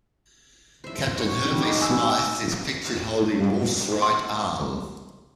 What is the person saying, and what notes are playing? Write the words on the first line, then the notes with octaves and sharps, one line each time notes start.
Captain Hervey Smythe is pictured holding Wolfe's right arm.
C5 E5
F#4 C#5
B2 G3 D#4 G4
G#3 D#4 D6
G#5 E6
C6